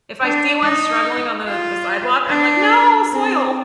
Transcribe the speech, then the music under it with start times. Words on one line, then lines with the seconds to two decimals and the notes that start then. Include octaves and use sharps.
If I see one struggling on the the sidewalk, I'm like no soil.
0.22 D4
0.63 D#4
1.47 F4
2.28 D4
3.11 C4